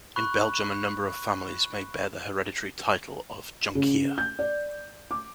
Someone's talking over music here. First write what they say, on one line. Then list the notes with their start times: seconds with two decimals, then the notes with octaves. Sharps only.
In Belgium, a number of families may bear the hereditary title of "Jonkheer".
0.16 B5 C#6 F#6
3.75 C#3
4.18 G6
4.39 D5
5.11 D6